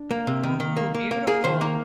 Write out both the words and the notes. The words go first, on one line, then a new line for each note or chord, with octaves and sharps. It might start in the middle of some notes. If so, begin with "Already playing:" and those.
Ooh, beautiful!
Already playing: D4
A#3
C3
D#3
D#3
A#3
A#3
A#3
A#3 G#4
D#3 C5
A#3 A#4